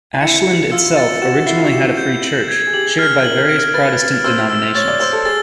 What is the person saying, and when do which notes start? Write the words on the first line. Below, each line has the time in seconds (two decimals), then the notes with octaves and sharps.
Ashland itself originally had a Free Church, shared by various Protestant denominations.
0.21 E4 C#7
0.47 C#7
0.72 F4 E6
0.97 A6
1.22 F#4 E7
1.46 E4 C7
1.55 F4
1.64 F#4
1.72 G4 E7
1.97 G6
2.23 F#7
2.48 G#6
2.67 G#4
2.73 G4 F#7
2.99 F6
3.24 A#4 F#7
3.49 D7
3.74 B4 A6
3.99 A6
4.24 C5 E6
4.50 E6
4.75 C#5 A6
4.88 D5
5.00 C5 E6
5.13 A4
5.25 G#4 A6